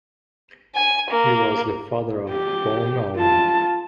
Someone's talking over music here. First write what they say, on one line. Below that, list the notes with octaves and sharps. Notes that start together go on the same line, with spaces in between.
He was the father of Boun Oum.
G#5
A#3
G4
F4 A5